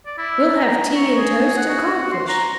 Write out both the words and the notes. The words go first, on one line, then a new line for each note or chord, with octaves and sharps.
"We'll have tea and toast and codfish."
D5
E4
A#5
C#6
G#4
F#5
F#4
C6
A#5